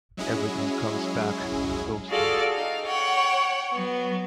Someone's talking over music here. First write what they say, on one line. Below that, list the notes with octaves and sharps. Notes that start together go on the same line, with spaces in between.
Everything comes back to those two.
F#3 G#3 C#4 E4 G#4
F4 F#4 G#4 A4 D5 F5
D#4 F5
C#5 F#5 G5
F#3 B3